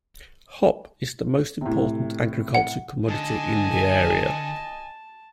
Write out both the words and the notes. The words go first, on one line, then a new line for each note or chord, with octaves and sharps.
Hop is the most important agricultural commodity in the area.
A2 C3
F#5
D3 D#5 G#5 A5